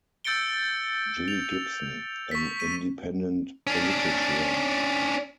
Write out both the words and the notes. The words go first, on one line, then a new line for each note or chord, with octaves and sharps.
Jilly Gibson, an independent politician.
E6 G6 A6 C#7 D7 G7
F7
C#6 B6
D#7
C#4 D4